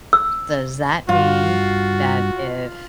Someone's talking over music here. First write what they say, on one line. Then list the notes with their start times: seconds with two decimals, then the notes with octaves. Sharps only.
Does that mean that if
0.13 E6
1.09 G2 F4 F#4